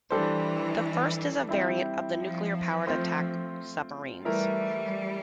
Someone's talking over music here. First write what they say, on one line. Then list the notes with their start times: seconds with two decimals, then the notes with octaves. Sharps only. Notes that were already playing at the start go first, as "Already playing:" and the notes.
The first is a variant of the nuclear-powered attack submarines.
0.10 E3 G3 D4 A4 C5
1.49 G3 C4 E4
2.18 F3
2.87 A3 C4 F4 C5
4.25 E3 G3 A3 E4 A#4